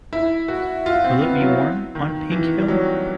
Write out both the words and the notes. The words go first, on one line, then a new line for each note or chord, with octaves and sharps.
Will it be warm on Pink Hill?
E4
F#4
F4
C4
B3
F#3
D#3
E3
G3
F#3